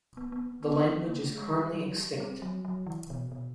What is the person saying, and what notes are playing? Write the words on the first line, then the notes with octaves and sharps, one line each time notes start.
The language is currently extinct.
B3
B3
B3
C4
A#3
A3
G#3
G3
F#3
G3
C4
F#3
F#3
E3
B2
B2